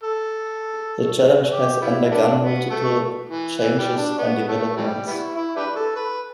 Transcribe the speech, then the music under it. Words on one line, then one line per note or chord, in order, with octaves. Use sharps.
The challenge has undergone multiple changes and developments.
A4
G4
G3 B3 E4
G3 B3 D4
B3
A3
E3
E3
G3
D4
B3
A3
E3 G3
G3 B3 E4
E4
D4 G4 B4
A4
B4